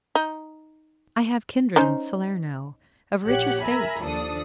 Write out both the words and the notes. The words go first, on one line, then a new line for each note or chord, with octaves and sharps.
I have kindred in Salerno, of rich estate.
D#4
C#4 D#4 C5
A#1 G4 C#5 F#5 F#6
A#4 E5 G#5 A#5 B5
D#2 F3 D4 A4 D#6